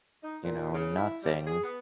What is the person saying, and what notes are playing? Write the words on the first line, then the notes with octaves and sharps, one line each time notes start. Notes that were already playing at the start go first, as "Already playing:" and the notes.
you know, nothing
D#4
A#2
C#3
E4
G3
G#4
B3